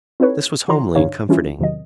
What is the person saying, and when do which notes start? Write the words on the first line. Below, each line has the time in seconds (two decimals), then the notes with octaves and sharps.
This was homely and comforting.
0.20 C4 D#4 E4 A4 B4 C#5
0.68 E3 F#4 C#5 A#5 C6
0.95 G2 D3 D4 D#4 C#5 F5
1.29 E3 G3 C#4 D4 E4 F4
1.59 E2 C3 D#3 F#3 D#5